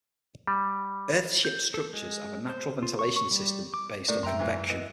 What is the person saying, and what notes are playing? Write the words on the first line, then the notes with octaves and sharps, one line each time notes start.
Earthships structures have a natural ventilation system based on convection.
G3
G6
A4
G#3
C5
F4
C#6
C#6
G3
D6
A2 A3 A#4 D5
F#2 E5 G5 A#5 C6
D2 G#2 E3
B3 E4 D#5